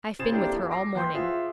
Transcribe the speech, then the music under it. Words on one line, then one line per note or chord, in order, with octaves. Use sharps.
I've been with her all morning.'
C#3 C4 G#4 G#6 A6 E7
A#3 C4 D4 E4 G4 A4
F2
D6 A#6 C7
E3 E4 B4 G5 C6 G6
F4 G#4 C5 E5 F#5